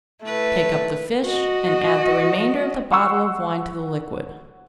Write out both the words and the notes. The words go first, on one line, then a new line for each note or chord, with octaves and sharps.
Take up the fish, and add the remainder of the bottle of wine to the liquid.
A3 E4 B4
F#4 D#5
F#5 C6 C#6 E6